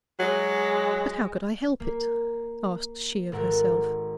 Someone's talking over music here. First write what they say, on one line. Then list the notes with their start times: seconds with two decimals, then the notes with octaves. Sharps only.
'But how could I help it?' asked she of herself.
0.20 F#3 G#3
1.80 A#3
3.32 G#1 A4 A#4 F#5